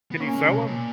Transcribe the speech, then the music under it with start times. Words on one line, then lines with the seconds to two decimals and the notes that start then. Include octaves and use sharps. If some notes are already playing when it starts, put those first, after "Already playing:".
Can you sell 'em?
0.12 B3
0.20 A#3 C#4
0.36 G#3
0.46 C#3
0.51 B2
0.66 A#2